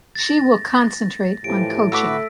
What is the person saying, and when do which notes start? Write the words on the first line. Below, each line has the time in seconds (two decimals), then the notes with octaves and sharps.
She will concentrate on coaching.
0.15 A6 A#6
1.44 A2 E3 F3 G4 D7
1.92 A3 F#4 B4 D6 E6 B6